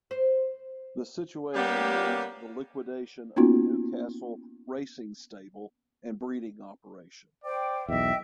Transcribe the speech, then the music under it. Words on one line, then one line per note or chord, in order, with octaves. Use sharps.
The situation meant the liquidation of the Newcastle racing stable and breeding operation.
C5
G3 A#3 B3 C#4 G4
A#3 B3 C#4 D#4 F4 F#4
C5 D5 G5
B1 E2 D#5 E5 G5